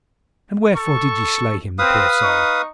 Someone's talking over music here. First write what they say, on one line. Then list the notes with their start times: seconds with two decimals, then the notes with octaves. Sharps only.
And wherefore did ye slay him, the poor soul?
0.74 A4 C#6
1.78 C4 B4 F5 D#6
2.22 D#4 C#6